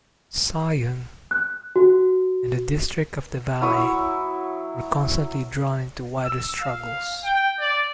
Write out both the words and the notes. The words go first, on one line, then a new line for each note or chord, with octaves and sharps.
Sion and the district of the Valais were constantly drawn into wider struggles.
F#6
F#4
F#3 E4 C#6 D#6
E6
F5
G5
D5